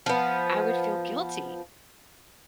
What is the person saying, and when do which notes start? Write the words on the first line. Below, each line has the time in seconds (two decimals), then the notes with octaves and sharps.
I would feel guilty
0.06 F3 B3